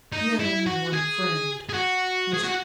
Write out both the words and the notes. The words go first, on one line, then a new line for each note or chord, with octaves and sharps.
He had only one friend--Mr.
D#4
E4
F#4
G#4
G#4
F#4
G#4
F#4